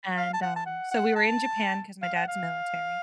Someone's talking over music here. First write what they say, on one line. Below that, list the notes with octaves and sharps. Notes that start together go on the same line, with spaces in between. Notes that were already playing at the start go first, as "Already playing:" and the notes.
and, uh, so, we were in Japan, 'cause my dad's military,
F5
A5
F#5
A5
F#5
F#5
A5
F5
F#5
F5